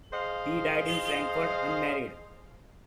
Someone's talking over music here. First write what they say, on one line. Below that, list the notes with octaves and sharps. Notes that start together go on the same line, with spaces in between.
He died in Frankfurt, unmarried.
G#4 C5 D#5 F5